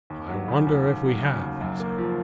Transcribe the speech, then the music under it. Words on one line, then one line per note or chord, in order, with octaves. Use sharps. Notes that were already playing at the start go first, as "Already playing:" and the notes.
"I wonder if we have?" he said.
D#2
F#3
C#3
D#2
D#2
F#3
C#3
D#2
F#2
A#3
F3